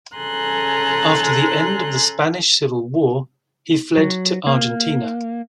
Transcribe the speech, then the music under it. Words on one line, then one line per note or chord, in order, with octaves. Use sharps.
After the end of the Spanish Civil War he fled to Argentina.
C#3 A4 G#5 A#5 C6 F#6
F#3
A#3